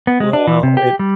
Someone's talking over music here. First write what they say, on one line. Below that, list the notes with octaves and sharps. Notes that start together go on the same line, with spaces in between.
Well, it
B3
G#3
D4
E3
C3
G4
G3